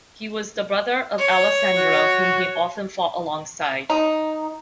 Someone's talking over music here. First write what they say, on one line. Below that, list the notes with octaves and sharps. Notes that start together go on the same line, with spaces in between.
He was the brother of Alessandro, whom he often fought alongside.
C#5
F#4
D#4